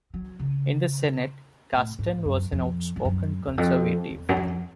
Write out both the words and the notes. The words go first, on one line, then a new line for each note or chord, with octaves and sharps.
In the Senate, Kasten was an outspoken conservative.
F#3
C#3
A2
G#2
F#2
F2
G2
F#2
E2
F2
E2
F#2
F2